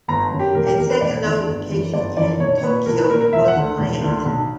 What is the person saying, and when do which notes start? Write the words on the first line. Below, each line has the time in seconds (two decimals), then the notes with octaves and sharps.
A second location in Tokyo was planned.
0.08 G1 A#5
0.32 F#2 C#3
0.39 G4
0.55 E1 A#4
0.67 G4
0.78 E2 D3 A#4
0.90 B4
1.01 E1 D5
1.25 E2 D3
1.47 G1
1.71 F#2 C#3 E3
1.94 G1 D5
2.17 F#2 C#3 E3 D5
2.40 B1 C#5
2.58 C#5
2.63 A#2 B4
2.86 B1 A#4
2.98 B4
3.10 A#2 A#4
3.21 A#4
3.32 E1 E5
3.48 F#5
3.56 D2 D3
3.79 E1
4.02 D2 D3
4.25 B1